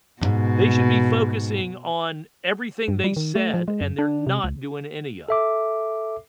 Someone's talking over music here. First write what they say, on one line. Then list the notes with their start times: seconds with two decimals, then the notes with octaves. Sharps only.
They should be focusing on everything they said, and they're not doing any of it.
0.21 F2 G#2 B2
2.88 G2
3.04 G3
3.16 D#3
3.35 A3
3.54 F3
3.68 G#3
3.81 F#2
3.99 D4
4.27 C3
4.44 C#2
5.29 A4 E5 D6